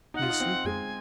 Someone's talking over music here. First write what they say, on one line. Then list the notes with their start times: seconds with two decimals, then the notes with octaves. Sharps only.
He is sleeping.
0.14 D#4 F#5
0.22 F4
0.30 D#4
0.40 C4
0.66 G#3 G#5